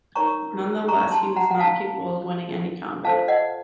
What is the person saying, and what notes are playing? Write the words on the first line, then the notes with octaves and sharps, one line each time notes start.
Nonetheless, he was not capable of winning any combat.
D#4 A#4 C#5 A#5 C#6
A#5 C#6
A5 C6
F#5 A#5
F#5
F5 A5
F4 A4 C5 F5 A5
D#5 F#5